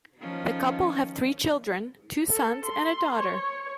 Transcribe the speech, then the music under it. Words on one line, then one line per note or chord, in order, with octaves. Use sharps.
The couple have three children, two sons and a daughter.
D#3 F3 C#4
A4
C6
C#5